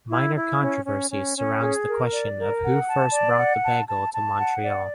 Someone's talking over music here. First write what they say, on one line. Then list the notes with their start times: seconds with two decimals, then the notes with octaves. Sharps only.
Minor controversy surrounds the question of who first brought the bagel to Montreal.
0.10 E4
0.36 E4
0.60 C#4
0.85 C#4
1.10 C#4
1.36 C#4
1.61 G#4
1.87 A#4
2.11 D5
2.38 A#4
2.63 F#5
2.87 A5
3.12 D5
3.38 F#5
3.63 A5
3.88 A5
4.13 A5
4.39 F#5
4.64 D5